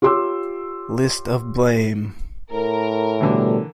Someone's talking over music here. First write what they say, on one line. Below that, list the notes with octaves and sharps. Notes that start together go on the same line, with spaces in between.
List of Blame!
F4 G4 C#5 C6 D6 E6
A2 A#4
B2 D3 E3 G3 A3